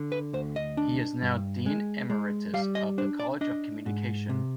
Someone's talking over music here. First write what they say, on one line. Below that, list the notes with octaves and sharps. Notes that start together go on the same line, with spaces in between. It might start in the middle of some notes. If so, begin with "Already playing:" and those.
He is now Dean Emeritus of the College of Communication.
Already playing: D3
B4
D2 C5
D#5
D4
G2
G#3
G#3
G3 F5
D#5
D4 C5
D5
D4 D#5
G#2
C3